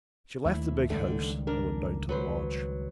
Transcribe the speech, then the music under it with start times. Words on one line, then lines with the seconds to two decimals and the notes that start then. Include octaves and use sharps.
She left the big house and went down to the lodge.
0.45 D#2 A3 D4 E4
0.90 C#2 D3 D#3 G3 A3
1.47 D4 A#4
2.09 F#3 B4 C5